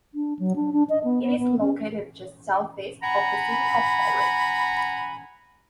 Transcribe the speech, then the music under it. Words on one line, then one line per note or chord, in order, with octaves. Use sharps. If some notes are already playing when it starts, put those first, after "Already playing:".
It is located just southeast of the city of Ohrid.
D4
F#3
D4
D4
D#5
B3
B3
B3
C#4
F#5 G#5 A#5 B5